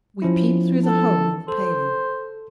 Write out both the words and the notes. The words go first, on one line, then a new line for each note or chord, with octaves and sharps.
We peeped through the hole in the paling.
F3 C#4 E4
A4
A4 C5